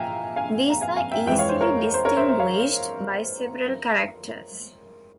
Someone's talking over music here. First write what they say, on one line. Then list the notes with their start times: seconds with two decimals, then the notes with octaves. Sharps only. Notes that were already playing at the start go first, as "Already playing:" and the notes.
These are easily distinguished by several characters.
Already playing: A#2 F3 A#3 E5 F5 G5 G#5 A#5
0.36 F5 G#5
0.70 A#5
0.81 F5 G#5
0.96 F5 G#5
1.11 E5 G5
1.26 F2 E3 G#3 E5 G5
1.39 C#5 F5
1.49 C5
1.61 A#4 C#5
1.94 C5
2.05 A#4 C#5
2.17 C5 E5
2.28 C5 E5
2.39 C#5 F5